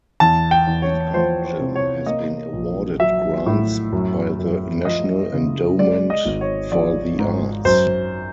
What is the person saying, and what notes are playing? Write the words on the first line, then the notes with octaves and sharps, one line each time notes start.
The Art Gym has been awarded grants by the National Endowment for the Arts.
E2 A5
G5
E2
C#5
F3 C5
C5
C3
C#5
A#3 D#5
A#1
F#3 E5
A2
F#2
F#2
F3 D#5
C#3
G#3 D5
D#5
G#1
C#5
F3 D5
G#2
F#2 C5